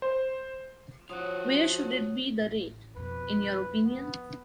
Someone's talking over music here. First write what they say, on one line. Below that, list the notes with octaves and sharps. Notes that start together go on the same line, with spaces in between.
Where should it be the rate, in your opinion?
C5
F3 F#3 F4 F#4 D#6 F#6
A1
F2 B2 B4
B3